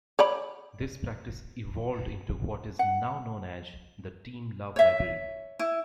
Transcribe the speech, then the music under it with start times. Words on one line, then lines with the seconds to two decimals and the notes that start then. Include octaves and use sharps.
This practice evolved into what is now known as The Team Love Library.
0.19 C#5 D5 B5
2.79 F#5
4.76 C#5 E5
5.59 E4